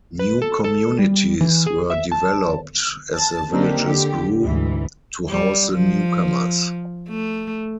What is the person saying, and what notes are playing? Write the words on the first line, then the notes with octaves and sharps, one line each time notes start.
New communities were developed as the villages grew, to house the newcomers.
B4
A4
A4
G3
E3
G#4
E5
A5
A5
D3 A#3 C4 D4 D#4 G4
D3 G4
D2 G#2 E3
G3
F3
A3